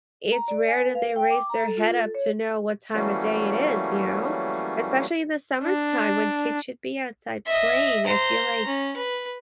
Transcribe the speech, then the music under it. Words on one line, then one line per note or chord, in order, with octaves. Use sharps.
it's rare that they raise their head up to know what time of day it is, you know? Especially in the summertime when kids should be outside playing, I feel like
A#5
D5
G#5
B4
F5
G5
D6
A#5
A4
F4
A4
C#5
E3 F#3 G3 A3 A#3 C#4
D4
D#5 E5
C5 A#5
C#4
B4